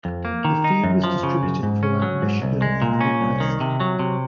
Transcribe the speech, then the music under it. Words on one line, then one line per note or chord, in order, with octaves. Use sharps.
The feed was distributed throughout Michigan and the Midwest.
F2
A#3
D#3
D#4
F#2
F3
C#3
F#2
G#2
C#4
F#3
G#2
C2
G#3
A#2
C#4
C2
D#3
C3
F#3
C3